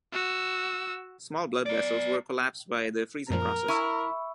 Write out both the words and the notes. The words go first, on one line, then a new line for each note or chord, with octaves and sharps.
Small blood vessels were collapsed by the freezing process.
F#4 E6
B3 D5
F#2 A#2 F3 A#4
E4 E5 G#5 C#6 E6